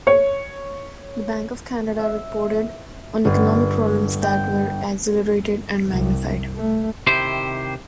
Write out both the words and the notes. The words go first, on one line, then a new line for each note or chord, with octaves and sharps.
The Bank of Canada reported on economic problems that were accelerated and magnified.
C#5
E5
G1
G5
C2
A3
C3 D#3 E4 G4 C5